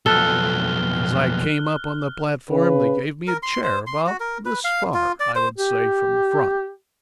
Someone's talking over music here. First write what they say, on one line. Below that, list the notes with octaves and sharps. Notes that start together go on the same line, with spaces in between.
As I came up on the platform they gave me a chair about this far, I would say, from the front.
B1 F2 A4 F6 F#6 G7
C#3 B4
A#4
C6
C5
C6
F#4
A#4
B4
F5
F4
D5
C5
G4